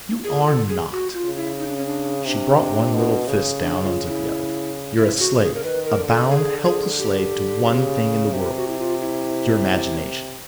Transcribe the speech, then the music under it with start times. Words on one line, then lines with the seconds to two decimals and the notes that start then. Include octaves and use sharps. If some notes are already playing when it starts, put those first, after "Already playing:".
"You are not!" She brought one little fist down onto the other. "You're a slave, a bound helpless slave to one thing in the world, your imagination."
0.24 A#2 G#4
0.47 A4
0.69 G#4
0.92 F#4
1.14 F4
1.25 C#3
1.37 E4
1.59 D#4
1.68 D4
1.76 C#4
1.85 D4
2.26 C3 D4
2.95 B2
3.28 C#3
3.61 D4
3.84 F4
4.06 E4
4.96 C#3 E4
5.19 F#4
5.30 C#3
5.37 A4
5.41 G#4
5.55 A#4
5.63 D#3 B4
5.86 A#4
5.97 D3
6.08 A4
6.31 G#4
6.65 G#4
6.99 G4
7.66 C#3
8.33 C3 G4
8.56 F#4
8.68 E4
8.79 F4
9.01 E4